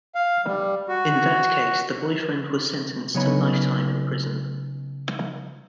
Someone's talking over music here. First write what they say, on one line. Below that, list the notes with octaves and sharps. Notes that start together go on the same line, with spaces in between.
In that case the boyfriend was sentenced to lifetime in prison.
F5
G3
F#4
C#3 F#3 B3 D#4 C#5 B5